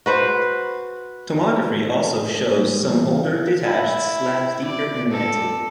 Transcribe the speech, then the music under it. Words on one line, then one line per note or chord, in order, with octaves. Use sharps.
Tomography also shows some older detached slabs deeper in the mantle.
F#4 B4 C5
A4
G3
E3
F5
E4
D5
A4